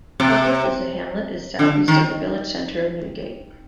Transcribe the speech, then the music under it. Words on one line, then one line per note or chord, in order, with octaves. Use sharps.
Cudworth is a hamlet is southeast of the village centre of Newdigate.
C3
D3
D#3